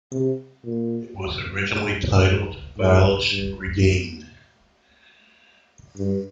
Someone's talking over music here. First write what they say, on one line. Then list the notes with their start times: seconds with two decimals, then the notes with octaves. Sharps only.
It was originally titled, "Valis Regained".
0.12 C3
0.65 A#2
1.71 G#2
2.23 G#2
2.78 G#2
3.30 G2
5.97 G2